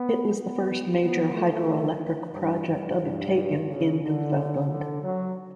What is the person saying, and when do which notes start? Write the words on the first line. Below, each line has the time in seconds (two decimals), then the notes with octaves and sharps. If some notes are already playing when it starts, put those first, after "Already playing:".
It was the first major hydroelectric project undertaken in Newfoundland.
Already playing: B3
0.33 B3
1.01 B3
1.33 A3
2.35 G2
2.68 G2
3.02 G2
3.68 C#3
4.02 D3
4.69 D3
5.03 F#3